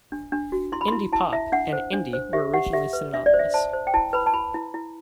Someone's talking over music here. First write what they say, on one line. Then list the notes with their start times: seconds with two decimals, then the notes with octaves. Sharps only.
"Indie pop" and "indie" were originally synonymous.
0.12 D4
0.32 D4
0.52 F#4
0.72 E4 C6
0.81 B5
0.88 E4 C6
1.13 E4 A5
1.32 E4 E5
1.52 D4 F#5
1.73 C5
1.93 D4
2.13 C5
2.33 G4 E5
2.54 G4 F#5
2.73 G4 E5
2.93 B4
3.14 D4 E5
3.26 D5
3.34 C5
3.39 E5
3.54 C5 A5
3.73 C5
3.87 G5
3.94 E4 A5
4.13 B4 B5
4.26 A5
4.33 E4 B5
4.54 E4
4.74 E4